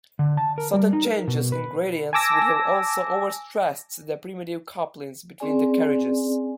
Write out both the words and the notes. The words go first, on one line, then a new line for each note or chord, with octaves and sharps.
Sudden changes in gradients would have also overstressed the primitive couplings between the carriages.
D3
A5
A#4
G3
D#4
A#4
B2
B4
G#5 A5 D6 E6 A#6
C4 C#4 G#4 D5 G#5